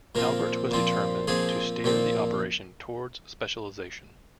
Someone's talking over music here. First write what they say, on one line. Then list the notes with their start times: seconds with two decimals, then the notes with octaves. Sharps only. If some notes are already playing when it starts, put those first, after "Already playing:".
Albert was determined to steer the operation towards specialization.
0.15 A#2 F3 C4 A#4
0.71 A#2 F3 C4
1.27 A#2 F3 C4 G#4
1.84 A#2 F3 C4